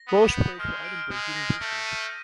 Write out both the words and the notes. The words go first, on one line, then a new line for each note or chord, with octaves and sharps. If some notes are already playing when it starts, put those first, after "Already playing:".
Welsh played for Edinburgh University.
Already playing: A#6
B3 D#6
G6
G#3 F6
D7
G#3 F6
A#6
A3 G6
D#7